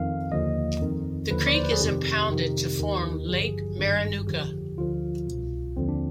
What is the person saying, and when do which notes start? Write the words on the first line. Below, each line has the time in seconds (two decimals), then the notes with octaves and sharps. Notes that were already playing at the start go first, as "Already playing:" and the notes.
The creek is impounded to form Lake Marinuka.
Already playing: F2 D#3 F5
0.32 D#2 D3 F3 D#5
0.81 F2 D#3
1.31 D#2 D3 F3 B4
1.47 D5
1.55 C5
1.63 B4
1.72 G#4
1.80 F2 C3 D#3 G4
2.29 F2 C3 D#3
2.79 D#2 D#3
3.28 G#1 G2 D3 F3 G#4
3.78 G#1 G2 D#3
4.27 F2 D3 F3 G4
4.78 D2 D3 F3 F4
5.27 C2 B2
5.77 D#2 D3 F3 C4
5.88 D4